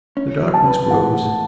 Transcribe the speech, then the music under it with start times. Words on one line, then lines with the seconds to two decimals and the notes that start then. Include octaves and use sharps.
The darkness grows.
0.17 C#4
0.42 F#3
0.54 A5
0.66 B4
0.91 E3 F#5
1.15 A2